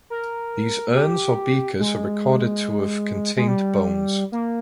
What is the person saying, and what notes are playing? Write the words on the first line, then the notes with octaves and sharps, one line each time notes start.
These urns or beakers are recorded to have contained bones.
A#4
G4
G#3
G#3
G3
A#3